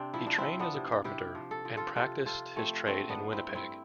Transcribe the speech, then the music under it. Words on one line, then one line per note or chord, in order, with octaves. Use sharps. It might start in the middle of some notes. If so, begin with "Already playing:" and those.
He trained as a carpenter, and practiced his trade in Winnipeg.
Already playing: C3 C4 D4
F3 E4
D4
C4 E4
F3
B3 D4
C3
C3 E4 G4
F3
A4
F3
F4 A4
C3 F4 A4
C3 F4 A4
F3 A3 C4
D3 A3 C4
B3 D4
F3
C4 E4
G2
C4 E4